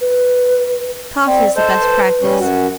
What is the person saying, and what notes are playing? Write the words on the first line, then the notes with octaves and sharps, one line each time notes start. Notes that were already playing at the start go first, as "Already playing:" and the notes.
Coffee is the best practice.
B4
C4 D5
A4 C5 D#5
B4
G3 C#4
F#2 F#4